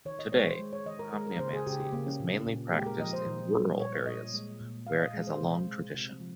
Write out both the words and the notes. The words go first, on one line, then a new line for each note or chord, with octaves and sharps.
Today, cromniomancy is mainly practiced in rural areas where it has a long tradition.
D#3 C#5
D#5
G#3 C#5
C5
G#3
C#5
D#3 D#5
A#4
G#3 A#4
A#4
C#3 C5
G#4
C#3 G4
G4
C#3 A#3
C#4
A#2
A#2
G#3 G4
A#4
F3 D#5
C5
A#2
G3
A#2 C#5
A#2 D#5
G#3
A#2
A#2 F5
D#5
G#3
C5
C3
G#3
C3
F3